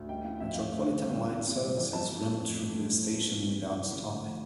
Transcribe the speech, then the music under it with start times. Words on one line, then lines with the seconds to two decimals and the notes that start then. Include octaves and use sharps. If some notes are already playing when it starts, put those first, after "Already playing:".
Metropolitan line services run through the station without stopping.
Already playing: D2
0.09 G3 G5
0.24 E3 F5
0.39 F2 E5
0.55 F2 F5
0.71 A3
0.86 D3
1.02 G2
1.16 G2
1.32 E3
1.47 C3
1.63 G3
1.78 E2
1.93 F3 A5
2.09 C3
2.23 A3
2.39 F2
2.54 A3
2.69 E3
2.85 A2
3.01 A2
3.15 E3
3.31 C3
3.46 G3
3.62 C2
3.77 F3
3.93 D3
4.08 A3